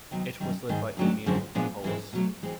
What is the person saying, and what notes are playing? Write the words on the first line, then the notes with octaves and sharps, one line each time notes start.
It was led by Emil Appolus.
C3 D#3 F#3 B3
F#2 D#3 G3
G#2 D#3 G#3
F#2 D#3 F#3 A3 D4
F#2 D3 F3 G#3 C4
A#2 F3 G#3 B3 D4
G#2 E3 G#3 C4 E4
B2 F#3 A3
E3 G#3 C4